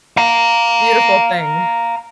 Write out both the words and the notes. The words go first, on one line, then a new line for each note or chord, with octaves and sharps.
beautiful thing.
F5 A#5